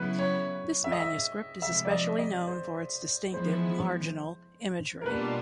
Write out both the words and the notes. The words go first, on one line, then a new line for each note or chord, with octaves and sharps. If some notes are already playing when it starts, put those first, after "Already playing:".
This manuscript is especially known for its distinctive marginal imagery.
Already playing: C#3 F#3 B3 E4 B4
C#5
E5
D#5
E5
C3 F3 G#3 E5
D5
D#5
D#5
C5
F3 G#3 B3 E4 C5
A#4
B2 G3 A#3 D4 F4 B4